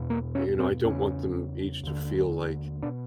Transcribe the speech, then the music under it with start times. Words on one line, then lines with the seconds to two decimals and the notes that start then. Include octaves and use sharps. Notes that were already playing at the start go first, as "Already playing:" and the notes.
you know, I don't want them each to feel like
Already playing: E2 B2
0.10 A#3
0.35 C#4
0.60 C4
0.84 E2 C#3 C#4
1.83 D#2 D3
2.82 B2 D4